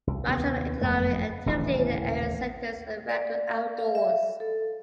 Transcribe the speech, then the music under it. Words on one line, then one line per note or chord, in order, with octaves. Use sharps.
Much of the economic activity in the area centers around the outdoors.
C2
D#2 C3 B3
F#1 F2 A3 A#3
D#1 A1 C#3 E3
D5
F5
F5
E5
A4